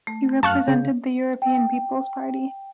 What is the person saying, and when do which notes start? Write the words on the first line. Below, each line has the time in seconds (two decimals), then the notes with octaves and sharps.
He represented the European People's Party.
0.07 A3
0.43 F#2 F5 A5 C#6 F6 F#6
0.68 C#3 G6
1.42 G5